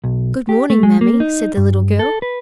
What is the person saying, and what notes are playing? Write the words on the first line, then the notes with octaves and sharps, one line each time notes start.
"Good morning, mammy," said the little girl.
B1
G4
A3
G#3
A#3
D#4
G2
A4
B4